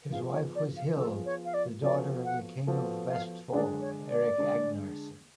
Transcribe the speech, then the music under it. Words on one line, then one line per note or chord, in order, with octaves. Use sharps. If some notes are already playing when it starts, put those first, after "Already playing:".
His wife was Hild, the daughter of the king of Vestfold, Erik Agnarsson.
F3 B3 F4 G#4 F5
C#5
D5
F5
F3 B3 F4 G#4 A4
C#5
F5
D5
F3 B3 F#4 A4 D5
F#5
F3 B3 F#4 A4
F5
D3 G#3 D4 G#4 D5
C#5
D5
D3 G#3 D4 G#4